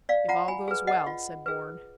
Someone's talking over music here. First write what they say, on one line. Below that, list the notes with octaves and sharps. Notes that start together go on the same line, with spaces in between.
"If all goes well," said Bourne.
D5 F5
F4 F#5 A#5
G#5 B5
G#4 B4
D#5 F#5
F4
G#4 B4